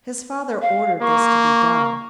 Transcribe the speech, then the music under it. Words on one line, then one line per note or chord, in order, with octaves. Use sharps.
His father ordered this to be done.
F5
A#3 C#6